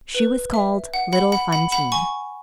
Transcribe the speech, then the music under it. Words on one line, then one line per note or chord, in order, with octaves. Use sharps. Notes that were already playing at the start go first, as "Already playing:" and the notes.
She was called little Fantine.
B4
E5
F#5
F#5 B5
F#5 B5
F#5 B5
F#5 B5
G#5 C#6